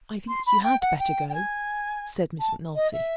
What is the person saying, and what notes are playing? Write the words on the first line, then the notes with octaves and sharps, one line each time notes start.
"I think you had better go," said Miss Macnulty.
C6
B5
G5
F#5
G5
G5
G#5
A5
D#5
E5